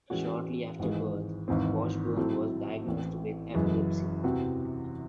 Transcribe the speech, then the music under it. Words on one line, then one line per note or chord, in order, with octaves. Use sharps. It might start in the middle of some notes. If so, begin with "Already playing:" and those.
Shortly after birth, Washburn was diagnosed with epilepsy.
A2 E3 G#3 C#4 F#4
G#1 G#2 E3 G#3
G#1 G#2 E3 C4
A2 F#3 C4 E4 A4
A1 A2 E3 C4
F#1 F#2 E3 G#3
E2 C3 E3 C4 F#4